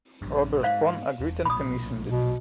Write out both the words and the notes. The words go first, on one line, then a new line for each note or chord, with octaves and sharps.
Robert Kohn agreed and commissioned it.
A#1 G2
G#2 C5 F5
E1
B1 A#2 B5 D#6
B2